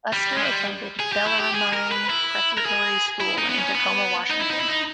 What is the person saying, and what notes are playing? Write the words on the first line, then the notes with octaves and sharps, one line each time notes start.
Lester attended Bellarmine Preparatory School in Tacoma, Washington.
G3
G#3
G3
G#4
G4
E4
G4
G#4
A#4
B4
E4
A#4
G#4
E4
D#4
B3
C#4
B3
D#4
E4
D#4
E4
D#4